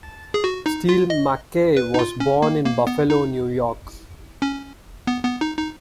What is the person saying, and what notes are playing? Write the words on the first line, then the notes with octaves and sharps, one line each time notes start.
Steele MacKaye was born in Buffalo, New York.
G#4
F#4
D#4
F4
D#5
B4
D#4
F4
C#4
A#3
A#3
B3
D#4
C#4
B3
B3
D#4
D#4